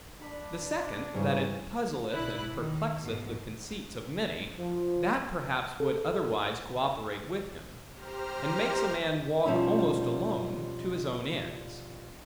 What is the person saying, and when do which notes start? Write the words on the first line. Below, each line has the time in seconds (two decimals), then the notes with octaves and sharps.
The second, that it puzzleth and perplexeth the conceits of many, that perhaps would otherwise co-operate with him; and makes a man walk almost alone, to his own ends.
0.21 D4 B5
1.14 G#2 C#3 E3 G3 C#4
2.12 B1 D4 E4 B5 F#6
2.55 D#3
3.01 G#2 B2 F3
4.57 F3
5.80 A4
7.92 G4 C5 A#5 F6
9.45 B2 F3 G3 C#4 D#4 E4